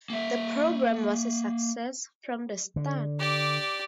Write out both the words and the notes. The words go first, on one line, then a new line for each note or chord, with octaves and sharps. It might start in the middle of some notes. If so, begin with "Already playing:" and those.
The programme was a success from the start.
A#3 E5
D3
G4 D5